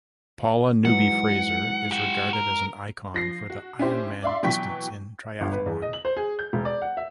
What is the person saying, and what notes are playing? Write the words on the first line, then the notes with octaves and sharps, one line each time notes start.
Paula Newby-Fraser is regarded as an icon for the Ironman distance in triathlon.
G#2 E3 F#3 F#5
G4 F#5
A#4
F3 A#6 C7
F#4
C#4 D4 E4 G4 C5
D5 E5 F5 C6
B2 E3 F#3 G5 C#6 B6
G1
B4
E2
D#5
F#7
C5
G#4
G6
E1
D5
F#5
E5